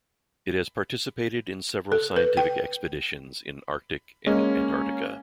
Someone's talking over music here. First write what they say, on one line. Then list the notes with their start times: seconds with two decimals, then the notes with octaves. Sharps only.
It has participated in several scientific expeditions in Arctic and Antarctica.
1.92 A4
2.16 B4
2.37 G5
4.27 G#3 A#3 C#4